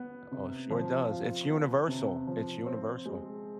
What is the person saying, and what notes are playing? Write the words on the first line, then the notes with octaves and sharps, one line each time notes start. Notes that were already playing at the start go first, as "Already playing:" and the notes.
Oh, it sure does. It's universal, it's universal.
Already playing: B3
C3
F3
F4
B3
C3
F3
C4
G#3